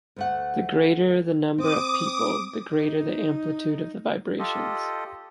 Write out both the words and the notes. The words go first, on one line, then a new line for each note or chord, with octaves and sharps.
The greater the number of people, the greater the amplitude of the vibrations.
D2 A3 F#5
C4 D6 D#6
D#4
F4 G4 A4 D#5